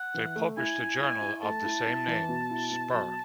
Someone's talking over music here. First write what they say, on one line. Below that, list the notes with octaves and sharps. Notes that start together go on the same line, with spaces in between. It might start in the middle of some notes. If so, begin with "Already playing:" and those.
They published a journal of the same name "Spur".
Already playing: F#5
E3
A3
E4 G#5
E4
E4
E4
A3 A5
E4
E4
E3
B2
E4
B2
F#3